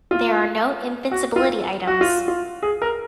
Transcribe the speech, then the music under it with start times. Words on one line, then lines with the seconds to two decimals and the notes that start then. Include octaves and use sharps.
There are no invincibility items.
0.11 F4
1.11 F#4
1.36 F4
1.87 F#4
2.01 F4
2.28 F4
2.63 G#4
2.82 A#4